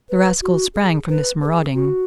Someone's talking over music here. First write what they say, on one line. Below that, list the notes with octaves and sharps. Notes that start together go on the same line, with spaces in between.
The rascal sprang from this marauding.
B4
F#4
G#4
B4
B4
G#4
F#4